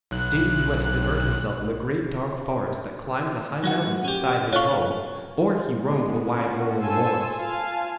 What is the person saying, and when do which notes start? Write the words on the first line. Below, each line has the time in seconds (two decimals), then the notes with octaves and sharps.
Daily he went to divert himself in the great dark forest that climbed the high mountains beside his home, or he roamed the wide rolling moors.
0.11 B1 F#6
3.64 F#3 F#4 F#5
4.04 C#4 G4
4.53 F4 A4 C#5 F5 C#6
5.84 G#3 B3
6.31 C#4 F4 F#4
6.78 A4 C5 G#5 A5 E6
7.38 F4 F5 G#5 A5